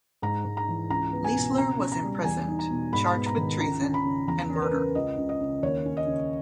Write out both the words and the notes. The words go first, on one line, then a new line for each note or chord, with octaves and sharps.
Leisler was imprisoned, charged with treason and murder.
G#2 A#5
G#2
A#5
E3
C#2 A#5
B3
G#5
B2
C#3 A#5
C#4
A#5
G3
E2 G#5
D#4
A#5
B2
G#2 B5
B3
A#5
D#3
C#2 A#5
C#4
B5
C#3
E2 A#5
C#4
A#4
B4
C#3
C#2 D#5
C#2
D#5
C#3
D#2 C#5
C#4
D#5
C#3